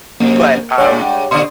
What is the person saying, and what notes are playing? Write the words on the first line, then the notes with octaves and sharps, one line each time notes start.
But, um,
F2 C3 A#3
G2 G#3 C#5 D5 F#5 G5
A#2 D3 D5 D#5 C6